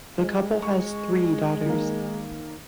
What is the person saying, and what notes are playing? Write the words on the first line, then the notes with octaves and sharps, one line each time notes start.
The couple has three daughters.
G#3
C#6
D#3 A#3